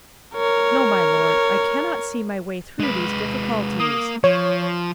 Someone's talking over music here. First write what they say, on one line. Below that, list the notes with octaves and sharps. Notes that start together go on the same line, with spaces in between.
No, my Lord; I cannot see my way through these difficulties.
A#4 C#5
G#3 B4
A#3 D#6
F3 C#5